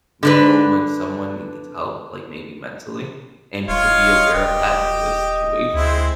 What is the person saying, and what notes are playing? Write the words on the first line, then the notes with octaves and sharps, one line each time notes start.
know when someone needs help, like, maybe mentally, and to be aware of that in those situations
D3 D4 B4
D#1 F4 C#5 D#5 F5
D#1 G4
D2 G#3 C4 E4